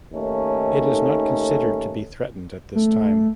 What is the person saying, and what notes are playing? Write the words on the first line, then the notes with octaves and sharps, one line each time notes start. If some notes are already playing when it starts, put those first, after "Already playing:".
It is not considered to be threatened at this time.
D#2 A3 C#4 D#4 A4
A3